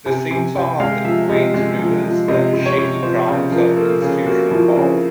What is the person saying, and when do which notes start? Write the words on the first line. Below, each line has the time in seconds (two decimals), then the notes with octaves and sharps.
The singsong of the twins reveals the shaky grounds of institutional power.
0.06 C3 G#5
0.31 C3 G#5
0.55 C3 G5
0.80 G#3 F5
1.05 F3 E5
1.29 C3 D#5
1.54 G#3
1.79 F3
2.04 F3
2.28 C3 D#5
2.53 C3
2.66 C#5
2.78 C3
3.03 F3 C5
3.28 C#3
3.52 F3 A#4
3.77 A#3 A4
4.02 C#3 G#4
4.26 A#3 F#4
4.51 F3 E4
4.76 C#3